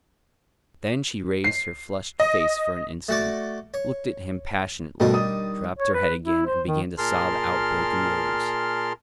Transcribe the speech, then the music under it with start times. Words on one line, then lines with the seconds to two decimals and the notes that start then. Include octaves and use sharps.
Then she raised her flushed face for an instant, looked at him passionately, dropped her head again and began to sob out broken words.
1.44 C7
2.20 D#5
3.09 A3 F#4 D5
3.74 C#5
5.00 B2 D#3 G3 A3 D4
5.14 D#6
5.78 C#5
5.94 B4
6.24 E4
6.46 C5
6.67 D#3
6.98 A#2 G#4 A#4 A5 C6 F6